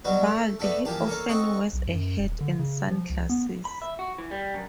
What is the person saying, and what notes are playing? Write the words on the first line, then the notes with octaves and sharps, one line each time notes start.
Bald, he often wears a hat and sunglasses.
G2 B2 F#3 G3 B3 F#4
A3
A3 B3 D4 F#4 A4
E3 F3 A#3 G4 A5
A#3 A4 A#4 C#5
C4 A4 D#5 F#5 C#6
B1
F#2
D#1
D3
C#3
F3
C#2
B3
B5
E5
F#4
E3
G3
F#2